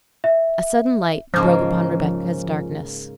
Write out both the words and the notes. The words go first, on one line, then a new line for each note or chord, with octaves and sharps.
A sudden light broke upon Rebecca's darkness.
E5
G#2 C#3 F3 A#3